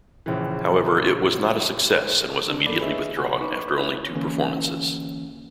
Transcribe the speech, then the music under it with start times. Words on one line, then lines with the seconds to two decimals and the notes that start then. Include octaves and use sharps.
However, it was not a success and was immediately withdrawn after only two performances.
0.26 A#1 C#3 E3
2.47 D3 D4
2.66 F#2 A#3 A4 D5 B5 D6
2.79 D4 G#4 B4 C#5 D#5 E5
3.17 C#2 F#5 G#5
3.40 D#4 B4 B5 C#6 D6
3.78 E4 B4 C#5
4.15 D3 E3 A#3 C#4